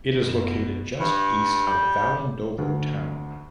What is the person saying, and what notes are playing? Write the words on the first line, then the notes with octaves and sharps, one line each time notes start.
It is located just east of Valandovo town.
F#2 B2
G2
G3
D2